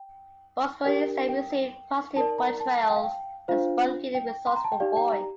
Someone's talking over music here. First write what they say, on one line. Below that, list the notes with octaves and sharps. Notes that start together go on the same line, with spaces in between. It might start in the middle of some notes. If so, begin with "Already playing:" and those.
Bosko instead received positive portrayals as a spunky and resourceful boy.
Already playing: G5
D4 G4 A#4 D5 G5
G5
D#4 A#4 D5 A5
A#5
A5
A5
G5
F5
G5
D4 F4 C5 F5
G5
C6
A#5
A5
G5
D#4 G4 D5 F5
G5
A#5